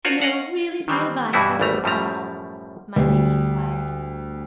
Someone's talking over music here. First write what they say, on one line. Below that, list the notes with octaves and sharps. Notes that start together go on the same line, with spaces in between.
"And there will really be a Vice after all?" my Lady enquired.
F4 F#4 A#4 C5 C#5 F#5
A#4 D#5 F5 F#5
D#3 E3 G3 C4
G2 B2 E3 G3 E4 F#4
G#1 E2 G3 A3 A#5
F#2 A2 F3 G3 A3 A#5
D2 G3